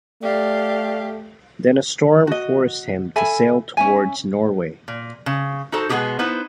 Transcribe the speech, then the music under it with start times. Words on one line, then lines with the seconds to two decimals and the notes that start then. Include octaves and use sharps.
Then a storm forced him to sail towards Norway.
0.23 A3 G4 D5 F5
2.27 F#4 D#5
3.16 A4 E5 G#5 B5
3.77 C#4 E5 G#5
4.88 A#2
5.26 C#3
5.72 D#4 F#4 A4 C5
5.89 B2 G#3 B3 D#4 G4 G#4
6.19 B3 D#4 E4 B4 C5